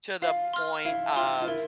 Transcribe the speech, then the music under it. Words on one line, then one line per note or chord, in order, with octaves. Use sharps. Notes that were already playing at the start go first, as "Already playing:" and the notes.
to the point of,
F4 F5
C6 F6
E4 F5
F4 C6 F6
F4
E4 A#4